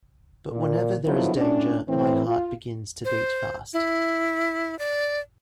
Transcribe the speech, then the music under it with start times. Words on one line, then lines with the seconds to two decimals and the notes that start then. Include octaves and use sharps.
But whenever there is danger my heart begins to beat fast.
0.51 A#2
1.05 D3 D#3 F3 F#3 B3 E4
1.36 A2 C#4 D4
1.88 A2 E3 C4
2.27 F4
3.05 C5
3.73 E4
4.79 D5